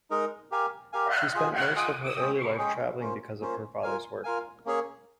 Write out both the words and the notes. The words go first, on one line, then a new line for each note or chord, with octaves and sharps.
She spent most of her early life travelling because of her father's work.
G#3 D#4 A#4 D#5
G4 A#4 F5 G#5
G4 A#4 F5 G#5
F4 G#4 D#5 G#5
F4 G#4 D#5 G#5
G#3 C#4 G#4 D#5 G5
G#3 C#4 G#4 D#5 G5
A#3 C#4 F4 C5
A#3 C#4 F4 C5
F4 A#4 F5 G#5
F4 A#4 F5 G#5
A#3 C#4 G#4 C#5